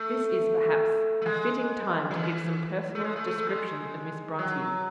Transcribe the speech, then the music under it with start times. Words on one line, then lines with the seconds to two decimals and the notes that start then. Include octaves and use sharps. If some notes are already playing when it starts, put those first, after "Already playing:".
This is perhaps a fitting time to give some personal description of Miss Bronte.
Already playing: A3
1.22 A3
1.26 G#3
2.11 F#3
2.15 E3
2.95 A3
3.04 G#3
3.16 A3
3.27 A3
3.38 A3
3.49 G#3
4.39 F#3